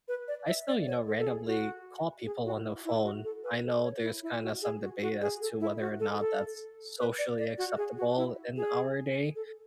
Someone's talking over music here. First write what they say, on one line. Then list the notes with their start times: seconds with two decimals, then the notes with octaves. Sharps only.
I still, you know, randomly call people on the phone. I know there's kinda some debate as to whether or not that's socially acceptable in our day,
0.08 B4
0.28 D5
0.48 E5
0.67 D5
0.87 C#5
1.07 A4
1.19 A4
1.27 G#4
1.46 F#4
2.25 G#4
2.45 F#4
2.65 E4
2.85 E4
3.04 F#4
3.24 A4
3.44 B4
3.64 A4
3.83 C#5
4.03 E4
4.23 E4
4.43 F#4
4.62 G#4
4.82 F#4
5.02 F#4
5.21 G#4
5.41 A4
5.60 E4
5.80 F#4
6.00 A4
6.20 A4
6.99 B4
7.19 D5
7.38 D5
7.58 F#4
7.77 G#4
7.97 F#4
8.17 E4
8.57 G#4
9.35 A4